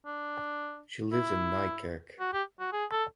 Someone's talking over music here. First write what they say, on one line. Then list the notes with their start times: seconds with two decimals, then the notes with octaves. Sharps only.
She lives in Nijkerk.
0.06 D4
1.12 E4
2.20 F#4
2.33 G4
2.60 F#4
2.72 G#4
2.91 A4